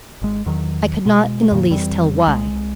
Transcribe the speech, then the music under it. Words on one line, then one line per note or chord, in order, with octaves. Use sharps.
I could not in the least tell why.
G#1 G#3
E2 D#3 F#3
B2 G#3
F2 A#2 D#3 A#3
F2 E3 G3 C4
C2 G#3